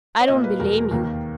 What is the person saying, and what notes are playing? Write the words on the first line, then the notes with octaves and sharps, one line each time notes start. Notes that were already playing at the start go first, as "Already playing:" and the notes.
I don't blame you.
C#5
A#2 A#3 D#5
B4
E2 B2 G#3 A#4
D#2 D#3 A#3